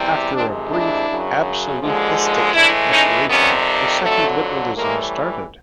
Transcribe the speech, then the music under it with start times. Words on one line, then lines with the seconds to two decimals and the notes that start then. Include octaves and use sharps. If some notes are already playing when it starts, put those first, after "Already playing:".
After a brief absolutistic restoration, the second liberalism started.
Already playing: E2 C3 E3 G3
0.32 F2 C3 D#3 G#3 C4 D4
0.69 D4 E4
1.07 F#2 C#3 F#3
1.80 D#2 D3 F3 G#3
2.54 A2 E3 G#3 D4 E4
2.91 C#4 D#4
3.28 F2 C3 D#3 G3 B3 C#4
4.02 F2 D3 F#3 A3
4.75 A2 E3 G3 G#3 A#3